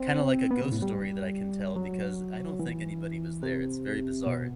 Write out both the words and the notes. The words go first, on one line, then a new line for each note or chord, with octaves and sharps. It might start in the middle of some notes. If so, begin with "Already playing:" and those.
kinda like a ghost story that I can tell, because I don't think anybody was there, it's very bizarre,
Already playing: C4
B3
C3
A2
G3
F#3
E3
C3
B2